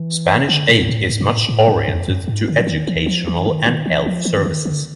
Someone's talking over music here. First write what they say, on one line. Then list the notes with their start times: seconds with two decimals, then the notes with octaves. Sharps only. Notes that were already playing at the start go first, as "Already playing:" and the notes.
Spanish aid is much oriented to educational and health services.
Already playing: E3
0.49 D3
0.68 A#2
0.80 G#2
0.89 A2
1.09 G#2
1.21 A#2
1.28 A2
1.49 A2
1.68 G#2
1.88 F2
2.08 F#2
2.28 G#2
2.48 D3
2.58 E3
2.67 D#3
2.87 E3
3.06 F3
3.27 E3
3.46 D#3
3.66 D#3
3.86 E3
4.06 F3
4.25 E3
4.37 D3
4.45 D#3
4.65 D3